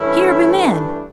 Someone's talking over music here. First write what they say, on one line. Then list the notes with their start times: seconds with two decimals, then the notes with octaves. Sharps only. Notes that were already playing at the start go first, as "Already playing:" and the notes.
Here be men!
Already playing: G2 E3 A3 C#4 E4
0.68 D4